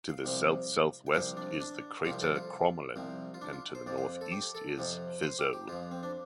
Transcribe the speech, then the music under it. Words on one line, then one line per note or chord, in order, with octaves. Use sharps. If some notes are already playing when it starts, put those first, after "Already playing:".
To the south-southwest is the crater Crommelin, and to the northeast is Fizeau.
F5
C2 C3 F3
G5
C2 C3 F3 F5
D4
D4
C2 C3 F3 F4
A4
F4
C2 C3 F3
F4
D4
F4
C5
F2 F3 D5
C5
A4
G4
A4
F2 C3 F3
C5
G4
G4
F2 F3 F4
C4
D4